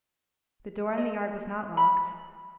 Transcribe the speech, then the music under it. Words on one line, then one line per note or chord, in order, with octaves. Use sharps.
The door in the yard was not locked.
D#5
B5